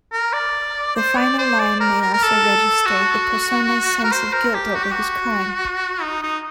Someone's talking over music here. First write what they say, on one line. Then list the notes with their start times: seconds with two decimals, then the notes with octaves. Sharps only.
The final line may also register the persona's sense of guilt over his crime.
0.12 A#4
0.33 D5
0.97 C5
1.18 D5
1.39 C5
1.59 D5
1.81 A#4
2.02 A#4
2.14 A#4
2.23 A4
2.86 F#4
4.04 A#4
4.12 C5
4.33 A#4
4.54 G4
4.75 F#4
4.83 G4
4.91 F#4
6.01 D#4
6.23 D#4